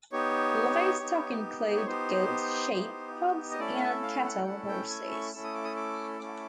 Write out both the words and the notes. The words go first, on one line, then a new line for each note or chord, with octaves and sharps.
Livestock include goats, sheep, hogs, and cattle, horses.
B3 D#4 G4 C#5
B3 D#4 G4
C#5
B3 D#4 G4 C5
B3 D#4 G4
D#5
A3 C#4 E4 A4 D5
F5
E5
F5
F#5
G5
A3 C#4 E4 A4 F#5
G5
G#5
C#6
A3 C#4 E4 A4 E6
D#6
D6
D#6
D6
A3 C#4 E4 A4 D6